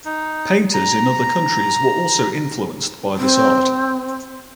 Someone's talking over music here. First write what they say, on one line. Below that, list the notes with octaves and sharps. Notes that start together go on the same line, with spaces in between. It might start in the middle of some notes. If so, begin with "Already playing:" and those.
Painters in other countries were also influenced by this art.
D#4
A#5
C4